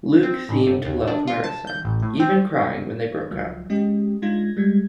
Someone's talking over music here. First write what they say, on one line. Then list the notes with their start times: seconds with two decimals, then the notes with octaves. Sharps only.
Luke seemed to love Marissa, even crying when they broke up.
0.23 C4
0.49 A1
0.67 G1
0.84 D#2
1.07 D4
1.27 F4
1.44 A5
1.67 G6
1.84 A1
2.02 A2
2.20 C4
3.30 C#2 F3 F#3
3.70 G#3 C#4 G4 D#5
4.22 G#3 D4 D#4 F4 G#6 A#6
4.57 G3 G#3 G#6